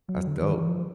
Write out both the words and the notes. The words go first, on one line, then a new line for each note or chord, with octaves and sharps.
That's dope.
F#3
D3
D#3
E3
F3